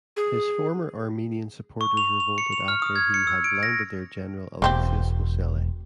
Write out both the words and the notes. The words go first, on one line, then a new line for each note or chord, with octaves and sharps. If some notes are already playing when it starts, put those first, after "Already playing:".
His former Armenian supporters revolted after he had blinded their general Alexios Mosele.
G#4
C#6
F7
F7
C#7
F7
F6
D#6
G#6
C#7
E6
D7
A#6
E1 A#3 C4 G4